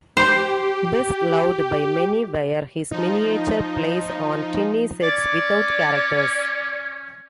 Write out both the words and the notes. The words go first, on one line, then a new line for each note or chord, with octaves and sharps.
Best loved by many were his miniature plays on tiny sets without characters.
G4 C5
F3 D#4
C#4 D5